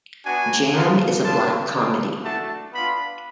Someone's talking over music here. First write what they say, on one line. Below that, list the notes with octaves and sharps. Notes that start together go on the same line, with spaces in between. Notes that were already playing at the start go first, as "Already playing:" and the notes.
"Jam" is a black comedy.
B3 D4 F#4 G#5
B3 D4 F4
B3 D4 F4 A5
G#3 D4 F4
A3 D4 F#4 A5
B3 D4 F4 B5